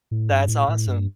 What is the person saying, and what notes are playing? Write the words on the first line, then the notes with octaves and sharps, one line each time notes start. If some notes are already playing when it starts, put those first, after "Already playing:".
That's awesome.
A2
G2
A2
A2
G2